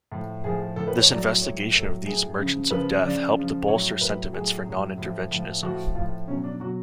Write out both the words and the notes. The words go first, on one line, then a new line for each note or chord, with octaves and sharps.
This investigation of these "merchants of death" helped to bolster sentiments for non-interventionism.
A2 F3
A2 F3 G#4
A2 F3 A4
B4
C#5
A2 F#3 D5
A2 F#3 C#5
A2 F#3 A4
A2 F#3 G#4
C#3 F3
C#3 F3 B4
C#3 F3 D5
C#3 F3
A2 F#3 C#5
A2 F#3 B4
A2 F#3 G#4
A2 F#3
A2 F3
A2 F3
A2 F3 F#4
A2 F3 F4
B2 F#3 C#4
D4
B2 F#3 F#4